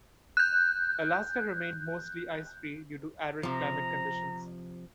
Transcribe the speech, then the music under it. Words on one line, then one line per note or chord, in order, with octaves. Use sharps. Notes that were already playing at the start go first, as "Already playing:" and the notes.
Alaska remained mostly ice free due to arid climate conditions.
F#6 G6
C3 F3 A#5